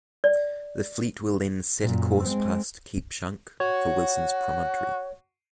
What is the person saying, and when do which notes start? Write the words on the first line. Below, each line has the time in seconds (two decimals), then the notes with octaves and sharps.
The fleet will then set a course past Cape Schank for Wilson's Promontory.
0.24 D5
1.81 F#2 A#2
2.24 G#3 C4
3.60 F#4 C#5